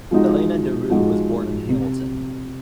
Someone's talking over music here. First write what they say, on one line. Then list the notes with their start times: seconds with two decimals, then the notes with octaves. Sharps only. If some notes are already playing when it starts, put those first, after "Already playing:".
Elena de Roo was born in Hamilton.
0.11 F3 G#3 D#4 F#4
0.90 F3 G#3 D#4 F#4
1.69 C3